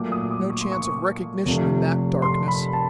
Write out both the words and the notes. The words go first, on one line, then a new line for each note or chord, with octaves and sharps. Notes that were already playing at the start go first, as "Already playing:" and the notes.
No chance of recognition in that darkness.
Already playing: A#2 F#3 A3 D6
D#6
D6
C#6
C6
C#6
F1 F2 C3 F3 A3
C6
B5
A5